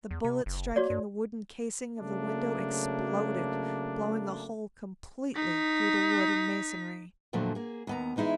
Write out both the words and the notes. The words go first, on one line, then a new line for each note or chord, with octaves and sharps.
The bullet striking the wooden casing of the window exploded, blowing a hole completely through the wood and masonry.
E2
C3
F#1
A#3 F#4 C#5 D5
G2
C#3 F#3 A3 A#3 D4
D#4 B6
F2 A#2 D3 F3 F#3 A3
A#3 G#4
D#2 B3 A#5
E3 G#3 D#4 E4 G#4